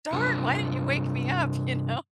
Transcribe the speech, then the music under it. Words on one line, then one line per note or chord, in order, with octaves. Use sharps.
darn! Why didn't you wake me up," you know,
G2 C3 D4 F4